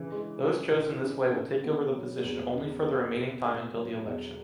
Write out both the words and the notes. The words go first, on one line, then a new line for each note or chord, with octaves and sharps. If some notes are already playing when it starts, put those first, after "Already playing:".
Those chosen this way will take over the position only for the remaining time until the election.
Already playing: C#3 E3
G#3
C#3
E3
C#3
C#3
B3
F#3
E2
C#3
B3
B2
A3
F#3
E2